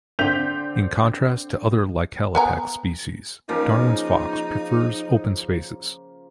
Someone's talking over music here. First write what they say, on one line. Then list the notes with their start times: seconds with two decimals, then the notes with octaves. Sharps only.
In contrast to other "Lycalopex" species, Darwin's fox prefers open spaces.
0.19 D3 C4 G6 B6 F7
2.35 B3 G#5 A#5
3.49 C#3 F3 A#3 D#4